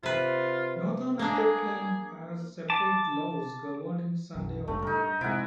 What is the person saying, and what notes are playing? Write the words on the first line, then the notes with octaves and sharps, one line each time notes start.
Northern Ireland has separate laws governing Sunday opening.
C3 F4 B4
A#3 D4 G#4
A4
A5 D6
B1 F#2
F#1 C#2 G2 A3
G2 D#4 A#4
C3 G#3 E4 F#5